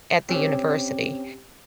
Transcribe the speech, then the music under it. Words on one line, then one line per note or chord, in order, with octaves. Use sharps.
at the university,
C4 C#4 G4